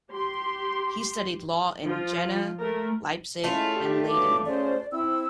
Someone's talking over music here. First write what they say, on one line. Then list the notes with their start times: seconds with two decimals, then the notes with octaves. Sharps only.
He studied law in Jena, Leipzig, and Leyden.
0.12 G4 C6
1.85 F3 F4
2.59 A3 A#4
3.44 G#3 A3 C#4 E4 F4
3.76 D4 G4
4.10 G2 F#3 D6
4.46 C#4 G#4 C5 D5
4.92 C4 E4 E6